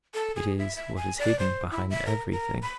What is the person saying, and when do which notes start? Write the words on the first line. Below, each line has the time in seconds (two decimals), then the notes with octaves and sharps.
It is what is hidden behind everything.
0.14 A4
0.36 G#4
0.59 E5
0.76 E5
0.97 G#5
1.19 D5
1.39 C5
1.71 E4
1.90 E5
2.06 A#4
2.32 A#4
2.63 B5